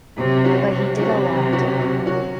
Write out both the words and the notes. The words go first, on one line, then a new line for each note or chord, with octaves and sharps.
But he did a lot.
C3 F#3
C#4 F#4
C3 F#3
C#4 F#4
F#3
C#4 F#4
F#3
C#4 F#4